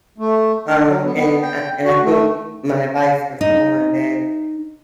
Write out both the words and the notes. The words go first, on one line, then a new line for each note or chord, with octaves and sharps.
Um, and I and I think my advice for someone that,
A3
D4
F#3
B3
B3
G5
F#4
A3
D#4